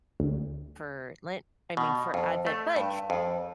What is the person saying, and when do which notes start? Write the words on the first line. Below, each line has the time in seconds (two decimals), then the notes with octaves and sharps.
for Lent I mean, for Advent, but
0.20 D2
1.77 B2
2.14 F2
2.47 A3
2.76 G2
3.10 F2